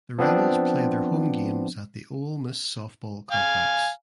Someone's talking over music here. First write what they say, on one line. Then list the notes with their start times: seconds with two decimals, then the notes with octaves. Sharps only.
The Rebels play their home games at the Ole Miss Softball Complex.
0.18 F3 B3 C4 D4
3.32 F5 G#5